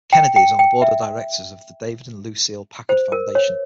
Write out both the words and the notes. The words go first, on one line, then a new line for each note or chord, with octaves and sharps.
Kennedy is on the board of directors of the David and Lucile Packard Foundation.
G5
G5
G5
E5
C5
A#4
C#5